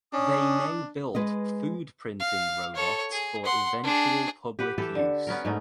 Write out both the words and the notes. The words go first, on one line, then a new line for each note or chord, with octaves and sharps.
They now build food printing robots for eventual public use.
C#4 D4 D#6
G#3 B4 D#5
F5
A4 C#5
G#4
F#5 C6
D4 G#4
G4 B4 F#5
E3 G4 A4
D3
B3 C#4 A#4
G#2 A3 D#4